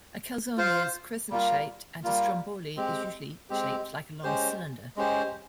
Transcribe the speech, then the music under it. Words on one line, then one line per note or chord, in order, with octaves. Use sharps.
A calzone is crescent-shaped, and a stromboli is usually shaped like a long cylinder.
F4 C5 F5
G3 A#3 F4
G3 A#3 F4
G#3 C4 G4
G#3 C4 G4
G#3 C#4 G4 C5
G#3 C#4 G4 C5